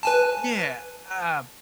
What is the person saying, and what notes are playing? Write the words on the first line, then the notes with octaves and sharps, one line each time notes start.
Yeah, uh,
B4 G#5 A5